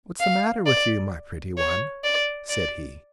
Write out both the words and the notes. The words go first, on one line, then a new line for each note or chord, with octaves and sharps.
"What's the matter with you, my pretty one?" said he.
F5
D5
C#5
D5
D5